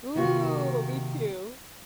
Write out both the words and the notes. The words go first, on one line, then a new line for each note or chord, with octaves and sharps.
Ooh, me too.
C3 D#3 A#3 F#4